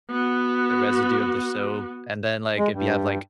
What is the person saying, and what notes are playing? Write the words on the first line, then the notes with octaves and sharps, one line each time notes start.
the residue of the soap, and then, like, if you have, like,
B3 F#4
G#3
G2